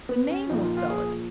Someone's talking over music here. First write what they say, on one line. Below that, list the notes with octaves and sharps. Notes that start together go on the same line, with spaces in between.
The name will sell it!
B3
C#4
A#2 F3 D#4
F4
F4
G#4